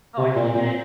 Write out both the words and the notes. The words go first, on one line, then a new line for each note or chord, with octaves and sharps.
Oh, I totally get it.
C3 C4
A#2
A#2